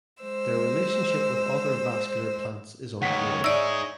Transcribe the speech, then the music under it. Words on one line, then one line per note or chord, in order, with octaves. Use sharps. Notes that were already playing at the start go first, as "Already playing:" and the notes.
Their relationship with other vascular plants is unclear.
G#3 C5 E6
C#2 D#3 C#5 F#5 B6
D#4 G#4 D5 E5 E6